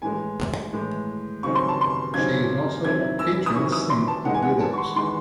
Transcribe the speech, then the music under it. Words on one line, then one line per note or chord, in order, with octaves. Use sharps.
She is also a patron saint of widows.
A2 E3 G#3 G#5
A2 E3 G#3
C#3 F#3 C4 D#4 C#6
C6
A5
C6
C#3 F#3 C4 D#4 G#6
D#3 F#3 C4 E4 G#6
E6
D#6
D#3 F#3 C4 E4 C#6
D#6
C6
A5
E3 G#3 D#4 F#5
G#5
F#5
A5
C#6
C6
E3 G#3 D#4 C6